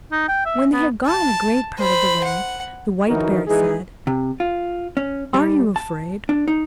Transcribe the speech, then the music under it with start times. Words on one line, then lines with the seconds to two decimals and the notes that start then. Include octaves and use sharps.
When they had gone a great part of the way, the White Bear said: "Are you afraid?"
0.12 D#4
0.28 G5
0.45 E5
0.73 B3
1.06 A5
1.78 C5 B5
2.24 F#5
3.07 D3 E3 F#3 D#4 F#4 A#4
3.47 E3 G#3 D#4 G#4
4.07 C3
4.40 F4
4.97 C#4
5.34 G3
5.76 A5
6.29 D4
6.48 D#4